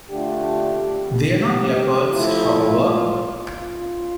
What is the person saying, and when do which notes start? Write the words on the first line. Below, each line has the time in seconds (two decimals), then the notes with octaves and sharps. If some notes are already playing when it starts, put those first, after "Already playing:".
They are not leopards, however.
0.10 D3 A3 D4 F4 G4
1.10 G4
2.08 F3 A3 E4 F4
3.57 F4